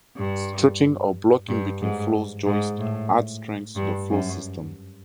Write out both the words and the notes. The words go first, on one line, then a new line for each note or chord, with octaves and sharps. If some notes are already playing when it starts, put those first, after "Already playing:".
Strutting or blocking between floor joists adds strength to the floor system.
G2
G2
G#2
G#2
A2
G2
F#2